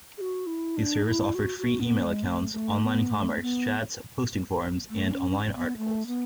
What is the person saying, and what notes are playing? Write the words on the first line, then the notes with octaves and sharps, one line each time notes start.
The service offered free email accounts, online commerce, chats, posting forums, and online articles.
G#4
F#4
E4
D4
E4
F#4
F#4
B3
A3
G#3
B3
A3
A3
B3
A3
B3
A3
D4
C#4
B3
A3
B3